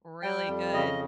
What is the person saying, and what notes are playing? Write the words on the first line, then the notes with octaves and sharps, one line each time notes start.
really good.
G3 G5
F2
C#3 D#5